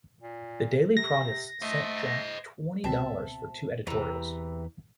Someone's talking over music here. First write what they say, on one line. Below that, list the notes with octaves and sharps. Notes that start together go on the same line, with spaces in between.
The Daily Proteus sent Jack twenty dollars for two editorials.
A#2
C3 A#6
A3 C5 D#5
C#2 B2 C4 E5 A5
E2 C3 E3 B4 A#5